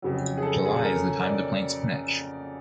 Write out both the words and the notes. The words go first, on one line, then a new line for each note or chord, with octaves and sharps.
July is the time to plant spinach.
F2 C#3 F#3
G#4
A4
G#4
A4
A#4
D5